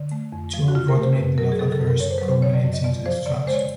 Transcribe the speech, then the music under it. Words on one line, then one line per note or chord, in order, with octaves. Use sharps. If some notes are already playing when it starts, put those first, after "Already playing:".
Two unfortunate love affairs culminates into destruction.
Already playing: D3
A3
F2
F3
F#4
D3 F4
A#4
A3
C5
F#2 B4
F#3 A#4
G#4
C#3 A4
A4
F#2
A#4
F#2 C#5
C5
F#3 B4
C5
C#3 C#5
D5
F#2 D5
D#5
F2 D5
F3 C5
C#3 D5
D5
G#3 C5
C#5